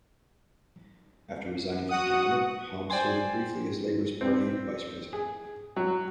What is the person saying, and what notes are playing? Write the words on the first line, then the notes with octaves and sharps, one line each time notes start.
After resigning from Cabinet, Hobbs served briefly as Labour's party Vice-President.
F#4 F#5 D#6
C5 D5 G5 G#5 C6
C4
G#4
F#3